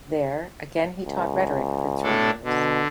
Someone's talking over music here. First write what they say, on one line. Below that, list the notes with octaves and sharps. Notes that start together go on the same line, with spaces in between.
There again he taught rhetoric for three years.
C#2
A2 D4 A4
B2 D3